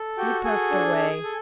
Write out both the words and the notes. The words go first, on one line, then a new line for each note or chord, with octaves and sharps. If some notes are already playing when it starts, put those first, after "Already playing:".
He puffed away.
Already playing: A4
F#4 G4 G5
G#4 A4 G#5
D4
G#4
A4